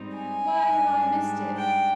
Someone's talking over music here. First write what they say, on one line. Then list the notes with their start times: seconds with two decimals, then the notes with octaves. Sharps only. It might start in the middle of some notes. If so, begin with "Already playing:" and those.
Why have I missed it?
Already playing: G#2 G3 C4 D#4
0.17 G#5
0.63 G#2 G3 D4
1.57 G5